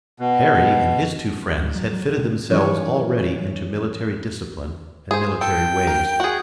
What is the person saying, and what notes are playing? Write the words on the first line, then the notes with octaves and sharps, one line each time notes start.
Harry and his two friends had fitted themselves already into military discipline and military ways.
B2
D2
F#3
F#3
C3
D#3 E3 F#3 C#4 E4 C#5
G#4 C5
A4 G5
A#4
F#4 G#4